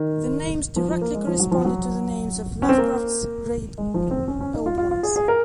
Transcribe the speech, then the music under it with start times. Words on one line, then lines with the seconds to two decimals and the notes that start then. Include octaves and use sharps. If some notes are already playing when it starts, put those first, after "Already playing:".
The names directly corresponded to the names of Lovecraft's Great Old Ones.
Already playing: D#3
0.76 F3
0.89 F3
1.01 A#3
1.14 G#3
1.27 F3
1.40 F#3
1.51 F3
1.65 F#3
2.62 C#4
2.69 C4
2.78 A#3
3.78 G#3
3.94 F3
4.11 C4
4.28 C#4
4.40 C#4
4.54 D#4
4.66 F4
4.78 F4
4.91 F4
5.03 G#4
5.16 G#4
5.28 A#4